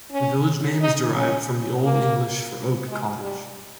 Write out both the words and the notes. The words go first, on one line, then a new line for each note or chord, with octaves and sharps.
The village name is derived from the Old English for "oak cottage".
C#4
D#4
C#4
A#3
G#3
G3